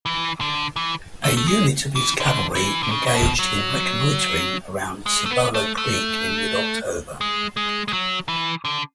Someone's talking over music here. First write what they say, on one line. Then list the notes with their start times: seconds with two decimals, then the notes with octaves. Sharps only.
A unit of his cavalry engaged in reconnoitering around Cibolo Creek in mid-October.
0.06 E3
0.41 D3
0.76 E3
1.24 A3
1.37 A3
1.48 G#3
1.96 E3
2.20 D3
2.55 E3
2.83 D3
2.91 C#3
3.07 C#3
3.15 B2
3.39 F#3
5.06 G#3
5.26 A3
5.31 B3
5.54 A3
5.77 A3
7.21 G#3
7.57 G#3
7.88 G#3
7.93 F#3
8.29 E3
8.65 D3